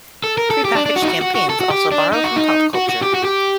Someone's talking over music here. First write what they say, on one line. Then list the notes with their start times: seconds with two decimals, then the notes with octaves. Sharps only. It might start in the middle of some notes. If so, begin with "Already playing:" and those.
Prepackaged campaigns also borrow from pop culture.
0.24 A4
0.38 A#4
0.51 A4
0.65 G4
0.75 D4
0.86 D4
0.96 F#4
1.03 D#4
1.07 F#4
1.22 F#4
1.35 F#4
1.50 A4
1.61 F#4
1.71 G4
1.92 D4
2.13 D#4
2.24 F#4
2.36 D#4
2.75 F#4
2.89 F#4
3.03 G4
3.15 F#4
3.25 G4